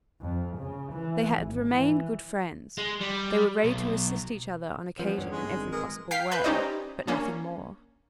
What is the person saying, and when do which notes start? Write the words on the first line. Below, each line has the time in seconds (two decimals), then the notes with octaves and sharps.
They had remained good friends; they were ready to assist each other on occasion in every possible way; but nothing more.
0.21 F2
0.58 C#3
0.93 E3
1.37 G#1
1.73 E3
2.78 G#3
3.01 G3
3.64 B1 B2
4.99 E2 F3 B3 C#4
5.18 G2 D3
5.30 G#3
5.52 G#1
5.71 G#3 A#4 B4
6.11 F5 G5 B6 C7
6.32 B4 F#6 G6
6.44 C#4 D#4 G4 C5 D5 D#5
7.07 A#3 C#4 D4